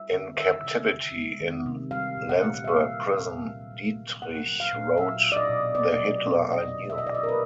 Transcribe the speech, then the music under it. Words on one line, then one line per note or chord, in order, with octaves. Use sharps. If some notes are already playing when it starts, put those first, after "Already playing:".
In captivity in Landsberg Prison, Dietrich wrote The Hitler I Knew.
Already playing: G3 E5
D3
D#3 E5
C3
C3
G#3
D#3
C3
G3 F5
A#2
F#5
A#2
E5
A#3 F5
G3
A#2
F#3
A#2
A#2
A#3 F#5
F#3
F5
A#2
F#3 E5
B2
D5
D#5
B2
A#3 D5
F#3
B2
F#3 D#5
D3
E5
D#5
D3 D5
D#5
A#4
A3 B4